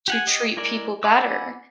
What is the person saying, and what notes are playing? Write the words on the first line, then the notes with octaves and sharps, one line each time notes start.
to treat people better,
G4 F#5 G#5
G4 D#5
G#3 E4 A#4 D5
F#5 G#5 B5 D6 E6